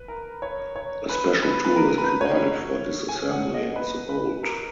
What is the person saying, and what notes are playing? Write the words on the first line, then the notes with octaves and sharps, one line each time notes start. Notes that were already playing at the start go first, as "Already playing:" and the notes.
A special tool is provided for disassembly of the bolt.
Already playing: B4
A#4
C#5
C#5
B4
B4
B4
A#4
B4
C#5
G#5
F#5
D#5
B4
B4
A#4